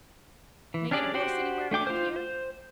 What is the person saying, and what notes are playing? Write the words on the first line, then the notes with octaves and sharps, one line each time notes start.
"Can I get a horse anywhere around here?"
E3
C#4 D4 G4 G#4 D5
F#4 G4 C5 F#5 G5
A3 D4 G5 D6
F4 C5
C5